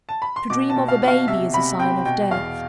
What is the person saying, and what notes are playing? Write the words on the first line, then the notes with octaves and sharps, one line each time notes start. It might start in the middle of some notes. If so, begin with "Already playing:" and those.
To dream of a baby is a sign of death.
A5
B5
C6
B2 D6
A5
B2
F5
B2
F5
C3 E5
C3 B5
C4 G5
B2 G5
E2 F5